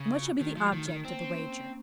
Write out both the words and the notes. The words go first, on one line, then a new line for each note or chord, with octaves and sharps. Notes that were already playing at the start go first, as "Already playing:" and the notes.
"And what shall be the object of the wager?"
Already playing: C#3
F4
F#4
F#4
D#3 A3
F3
D#3
D#3
A#3 C4
C#4
A#3